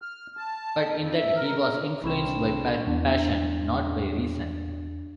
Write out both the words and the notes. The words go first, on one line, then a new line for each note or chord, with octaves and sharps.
But in that he was influenced by passion, not by reason.
F6
A5
F2
E5
A#4
C2 C4 D4 B5 C#6 E7
E2 D4